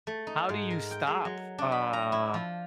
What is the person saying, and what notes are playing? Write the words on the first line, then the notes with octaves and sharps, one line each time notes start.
How do you stop, uh,
A3
D#4
G#2
A#4
G5
G#3
F#3
D4
B5
A#5
E4
F3